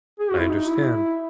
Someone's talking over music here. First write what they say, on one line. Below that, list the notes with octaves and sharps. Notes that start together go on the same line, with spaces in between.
I understand.
G#4
F#4
E4
D#4
E4